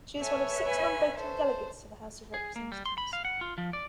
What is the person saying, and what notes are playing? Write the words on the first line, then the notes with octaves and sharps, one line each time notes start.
She is one of six non-voting delegates to the House of Representatives.
A4 B4 C#5 E5 G#5
G#5 B5
A4 C5
G#4
A#3
G3
C6
B5
F5
F#5
F4
F3
D5